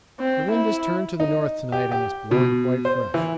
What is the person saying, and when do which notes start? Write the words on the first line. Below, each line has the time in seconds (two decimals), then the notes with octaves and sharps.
The wind has turned to the north to-night and is blowing quite fresh.
0.20 C4
0.52 E4
1.20 D#4
1.72 G4
1.92 G4
2.31 B2
2.85 C5
3.14 E3